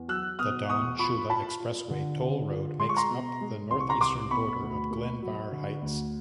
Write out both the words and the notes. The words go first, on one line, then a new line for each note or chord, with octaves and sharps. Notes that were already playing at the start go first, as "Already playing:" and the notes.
The Don Shula Expressway Toll Road makes up the northeastern border of Glenvar Heights.
Already playing: E2
F#3 E6 F#6
B2 D#6 F6
E2 C#6 D#6
F4 B5 C#6
F4 A5 B5
F4
D3
D3
F4
G#3 C6
C#6
A#5 C6
B2
G#3
C2 C6
C#6
A#5 C6
C2 C6 D6
B2 B5 C#6
D2
A#3
F#3
D3
D2